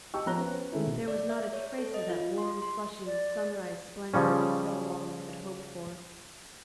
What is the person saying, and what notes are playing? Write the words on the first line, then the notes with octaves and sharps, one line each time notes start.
But there was not a trace of that warm, flushing sunrise splendor we so long had hoped for.
G4 D#5 G5 A5 C#6 E6
F3 B3 C#5 A#5 F#6 G7
B3 C#4 B4 C5
D#3 G#3 A3 C#4 D#4 E4
B2
D5
E5
C#5
A4
D#5
F4
C6
C6
D5
C#3 F3 G3 C#4